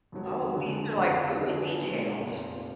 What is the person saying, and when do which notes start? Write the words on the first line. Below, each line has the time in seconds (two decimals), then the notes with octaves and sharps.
Oh, these are like really detailed.
0.12 F2 D#3 F#3
0.53 F2 D3 G#3 D4 G#4
0.96 F1 F2 D3
1.38 D3 F#3 D4 G#4 B4
1.78 A#1 A#2 G#3 B3 D#4
2.20 F1 F2 F3 A#3 F4